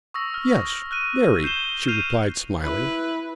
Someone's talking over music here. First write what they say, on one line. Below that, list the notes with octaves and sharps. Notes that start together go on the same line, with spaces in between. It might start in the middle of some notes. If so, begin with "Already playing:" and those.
"Yes--very," she replied, smiling.
C#6 D#6 E6 A#6
F6
F6 F#6 D#7
G6 C7 E7 G7
F6 G6 C7 D#7 F7
E4 B4